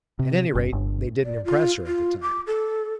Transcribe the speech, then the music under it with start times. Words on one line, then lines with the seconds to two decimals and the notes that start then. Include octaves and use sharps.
At any rate, they didn't impress her at the time.
0.19 C3
0.55 F#1
0.72 G1
1.24 D5
1.45 F4
1.87 F4
2.22 D6
2.47 A4